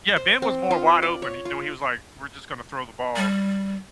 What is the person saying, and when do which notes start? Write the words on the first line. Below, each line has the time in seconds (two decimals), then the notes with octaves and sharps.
Yeah, Ben was more wide open, you know, he was like, "We're just gonna throw the ball"
0.16 C5
0.42 C4
0.71 F4
1.03 D5
1.22 C#5
1.45 F4
3.16 G3